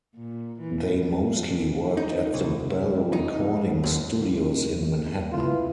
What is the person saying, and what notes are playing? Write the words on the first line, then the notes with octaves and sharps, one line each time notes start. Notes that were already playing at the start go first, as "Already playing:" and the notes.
They mostly worked at the Bell recording studios in Manhattan.
A#2
E3
D#4
C2
D#4
D#2
E3 E4 F4 B4